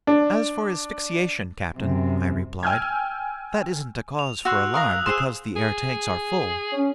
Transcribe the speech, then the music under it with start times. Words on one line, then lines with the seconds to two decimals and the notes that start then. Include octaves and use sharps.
"As for asphyxiation, captain," I replied, "that isn't a cause for alarm, because the air tanks are full."
0.07 D4
1.77 F#2 C3
2.63 G5 G#5 E6 F6 G6 G#6
4.19 F7
4.45 F#4 C6 E6 F#6
4.74 A#4 F5 A#5 D#6
5.06 G#4 C5 C6 E6 E7
5.56 G#4
6.72 C#4